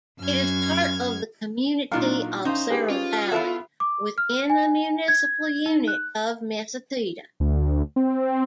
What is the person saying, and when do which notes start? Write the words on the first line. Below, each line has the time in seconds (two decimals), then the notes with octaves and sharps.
It is part of the community of Saravali within the municipal unit of Messatida.
0.19 F#2 F6 G#6
1.92 A#2 F#3 D4 D#4 F4 F5 F6
2.45 C#4 D#4 C5 E5 F5
2.70 D4 G4 G#4 B4
2.90 C#4 F4 C#5
3.32 B3 E4 A4 C#5 E5 F5
3.80 D6
4.18 F6
4.50 G#5
5.08 G#6
5.66 D#4
5.88 F#6
7.40 D2
7.96 C4